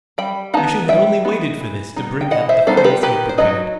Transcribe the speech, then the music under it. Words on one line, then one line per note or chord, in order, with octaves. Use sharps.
Michaud had only waited for this to bring out the phrase he had prepared.
G3 G5 B5
B3 D#4 F#5 A5
G3 E5 G5
B3 D#4
E3
G3 B3 D#4
G5
E3 D#5 F#5
C5 E5
G3 B3 D#4 A4 C5
C5
G4 B4
D#3 G4 B4
C5
F#3 B3 D#4 B4 D#5